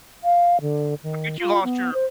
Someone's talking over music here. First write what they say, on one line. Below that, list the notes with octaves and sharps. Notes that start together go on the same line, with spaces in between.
I think you lost your,
F5
D3
D#3
F4
B3
C5